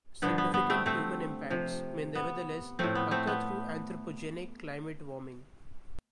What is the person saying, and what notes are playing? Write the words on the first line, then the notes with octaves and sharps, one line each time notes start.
Significant human impacts may nevertheless occur through anthropogenic climate warming.
G2 D3 F3 B3
B3
B3
A3 C4
A3 C4
C3 F3
B3
A2 F3 A3 C4
B3
A3 C4
B3